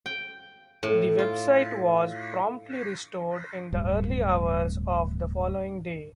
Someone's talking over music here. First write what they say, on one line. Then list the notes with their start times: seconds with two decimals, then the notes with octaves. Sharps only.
The website was promptly restored in the early hours of the following day.
0.06 G5
0.83 A2
1.18 F4
3.73 D1 G2